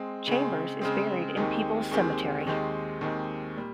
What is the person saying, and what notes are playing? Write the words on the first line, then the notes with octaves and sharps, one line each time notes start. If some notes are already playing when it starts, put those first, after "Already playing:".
Chambers is buried in Peebles Cemetery.
Already playing: G#3 C4
C#3 G#3 C4
C#3 G#3 C4
D#2 D#3 G#3 C4 G4
D#2 D#3 G#3 C4 G4
D#2 D#3 G#3 C4 G4
D#2 D#3 G#3 C4 G4
A#2 G3